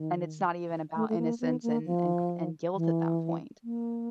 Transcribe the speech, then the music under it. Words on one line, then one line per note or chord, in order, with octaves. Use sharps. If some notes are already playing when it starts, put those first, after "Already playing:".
And it's not even about innocence and and cr and guilt at that point,
Already playing: D#3
A3
A3
A#3
B3
A#3
F3
E3
A#3